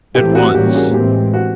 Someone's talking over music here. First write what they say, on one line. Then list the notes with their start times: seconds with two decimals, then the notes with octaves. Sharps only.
At once.
0.14 G#2 E3 A3 C4 G4
0.35 F#4
0.54 A2 E3 G3 A#3 C#4 G4
0.74 F#4 G#4
0.94 A2 E3 G#3 C4 G4
1.34 F#4